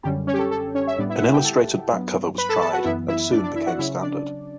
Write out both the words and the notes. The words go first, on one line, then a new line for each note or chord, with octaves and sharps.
An illustrated back cover was tried, and soon became standard.
F#2 D3 G3 C#4 G4
C#4 C#5
G4
A4
A4
C#4 C#5
E5
A2 G3 B3 D4 D5
E4 E5
F#5
E4 E5
G4 G5
A4 A5
G2 F#3 B3
B4 B5
A4 A5
A4 A5
F#4 F#5
F#2 E3 B3 E4 E5
E4 E5
D4 D5
D4 D5
E4 E5
F#4 F#5
C#3 F#3 C#4 E4 E5
D4 D5